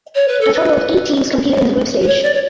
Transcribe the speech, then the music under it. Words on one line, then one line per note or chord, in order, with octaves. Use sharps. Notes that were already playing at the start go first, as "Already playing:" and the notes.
A total of eight teams competed in the group stage.
C#5
B4
A4
B4
B4
C#5
D5
C#5